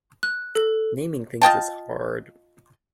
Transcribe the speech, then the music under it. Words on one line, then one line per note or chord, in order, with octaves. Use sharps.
Naming things is hard.
F#6
A4
F4 D#5 G5 A5